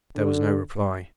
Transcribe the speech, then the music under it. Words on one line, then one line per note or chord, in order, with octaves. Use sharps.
There was no reply.
D3